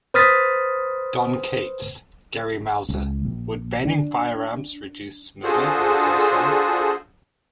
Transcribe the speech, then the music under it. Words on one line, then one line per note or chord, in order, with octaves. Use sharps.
Don Kates, Gary Mauser, Would Banning Firearms Reduce Murder and Suicide?
B4 C5 D#6 F6 A6 B6
C#2
A#1
D4
D4 F4 F#4 G#4 A4 C5